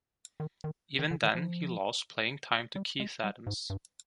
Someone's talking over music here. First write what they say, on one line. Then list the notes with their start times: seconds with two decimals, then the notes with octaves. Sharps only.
Even then he lost playing time to Keith Adams.
0.40 D#3
0.64 D#3
0.99 D#3
1.11 D3
1.23 D#3
1.35 F3
2.76 G3
3.00 G#3
3.24 G3
3.47 G#2
3.70 G2